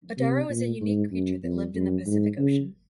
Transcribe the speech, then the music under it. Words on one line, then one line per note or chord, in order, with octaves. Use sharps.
Adaro is a unique creature that lived in the Pacific Ocean.
C3
A#2
G#2
F#2
F2
F#2
G#2
C#3